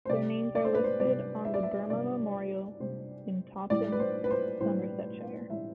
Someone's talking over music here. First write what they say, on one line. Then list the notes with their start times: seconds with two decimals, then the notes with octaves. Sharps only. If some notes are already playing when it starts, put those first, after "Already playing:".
Their names are listed on the Burma Memorial in Taunton, Somersetshire.
0.05 C5
0.09 C3 G3 D5
0.55 D5
0.65 C5
0.75 B4
0.84 C5
1.00 C3 G3 D5
1.45 E5
1.54 D5
1.63 E5
1.90 C3 G3 D5
2.80 C3 G3 C5
3.70 A2 E3 G3 D5
3.92 B4
4.00 C5
4.24 B4
4.31 C5
4.60 A2 E3 G3 C5
5.50 A2 E3 G3 E5